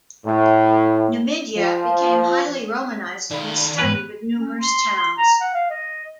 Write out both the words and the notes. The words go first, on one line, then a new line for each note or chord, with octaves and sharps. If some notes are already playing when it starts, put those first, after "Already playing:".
Numidia became highly Romanized and was studded with numerous towns.
A2
F3
D#3 A4 D5 F5 B5
G#2 B3 C#4 B4
C#4
C6
C6
A#5
F#5
F5
D#5